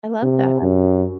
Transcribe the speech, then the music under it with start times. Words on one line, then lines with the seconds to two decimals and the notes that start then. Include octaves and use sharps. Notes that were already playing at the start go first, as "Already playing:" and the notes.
I love that.
0.22 C3
0.62 F#2